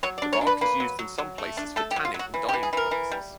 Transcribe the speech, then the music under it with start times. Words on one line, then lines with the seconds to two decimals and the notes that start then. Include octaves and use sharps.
The bark is used in some places for tanning and dyeing purposes.
0.03 F#3 C#5
0.18 D5
0.22 D4
0.33 C#5
0.41 D4
0.47 B4
0.61 A#3 B4
0.80 F#3
0.99 F#3
1.18 F#3
1.38 A3
1.57 D4
1.76 A3 A4
1.91 G4
1.96 F#3
2.05 F4
2.14 F#3
2.19 F#4
2.34 E3
2.49 G4
2.53 E3
2.63 G#4
2.73 E3 A#4
2.91 E3
3.12 G3